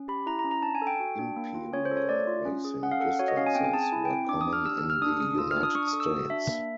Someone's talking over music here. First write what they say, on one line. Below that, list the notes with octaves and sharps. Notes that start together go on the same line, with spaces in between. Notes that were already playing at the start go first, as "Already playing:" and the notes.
Imperial racing distances were common in the United States.
Already playing: C#4
G4 B5
E4 A#5
A#5
C#4
A#5
D4 A5
G#5
A4
G5
F#4
D4
A#3
F4
C#4 C#5
C5
A4
C#5
A3 D5
F4
C#4
G#4
C#4 F#5
F5
A4 F#5
F#4 C#5
D#5
C#4 F5
G#5
C4 G5
G#5
G#4 A5
G#5
E4
G5
C4
D4 D6
D#6
D4
F6
G4 E6
G4 E6
F6
D4 D#6
G#4 D#6
F4 E6
F6
D4
D#6
D4 C#6
D#6
A4
E6
F#4
D4 E5
A#3